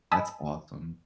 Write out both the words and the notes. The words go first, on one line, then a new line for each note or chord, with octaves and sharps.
That's awesome.
D#5 G#5 A5 B5 D#6 E6